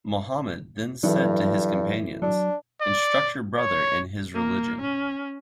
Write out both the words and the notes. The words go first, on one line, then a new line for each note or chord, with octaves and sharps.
Muhammad then said to his companions, Instruct your brother in his religion.
G2 E3 F#3 A4
F#3 D4
D5
C#5
A#3
C#4